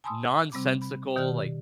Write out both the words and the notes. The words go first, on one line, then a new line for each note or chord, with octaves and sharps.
nonsensical, like
G#5 A5 B5 C6 D#6 E6
C3 G3 C4 B5 D6
B5
B2 D#3 G4 D5 F6 F#6